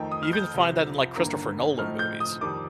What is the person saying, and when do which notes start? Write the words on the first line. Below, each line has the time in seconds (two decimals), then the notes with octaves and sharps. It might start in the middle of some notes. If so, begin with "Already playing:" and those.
You even find that in, like, Christopher Nolan movies,
Already playing: F2 D#3 A3 D#4 G5
0.12 D#6
0.23 F6
0.33 G6
0.54 C2 C3 F3
1.16 G1 G2 D#3 A#3
1.78 A2 F3 A3 C4 D#4 F6
1.99 G6
2.20 D#6
2.41 F2 D#3 G3 D6